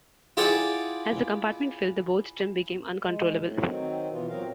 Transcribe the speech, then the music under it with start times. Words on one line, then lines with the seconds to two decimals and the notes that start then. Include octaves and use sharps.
As the compartment filled, the boat's trim became uncontrollable.
0.37 E4 F4 G#4 D5 F#5 G5
3.01 G#3
3.40 A2
3.64 D#3 F#3 C4
4.11 B2 E3 B3 F4
4.29 A#2 F#3 C4 A#4 F5